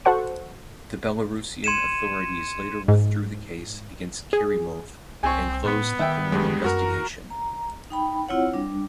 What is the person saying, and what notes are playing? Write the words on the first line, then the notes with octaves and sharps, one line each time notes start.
The Belarusian authorities later withdrew the case against Kerimov and closed the criminal investigation.
F#4 A4 C5 F#5 C#6
C6 G#6 C#7 D#7 E7
G#2
G#4
C2 C4 G#5 C#6
A2 B3
D#3 E5 G5
G2 G3 G#3
F#2 F#4 A#4 A#5
A#5
D#4 G5 B5
C4 E4 F4 C#5 F#5
G3 D4